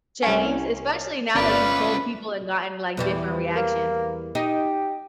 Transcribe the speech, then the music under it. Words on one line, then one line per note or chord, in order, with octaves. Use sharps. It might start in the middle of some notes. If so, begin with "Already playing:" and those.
changed, especially now that you've told people and gotten, like, different reactions?
C2 C#4
G1 C#4 F4 B4 D5 F6
E2 E3 G3
A#3
D#4 G4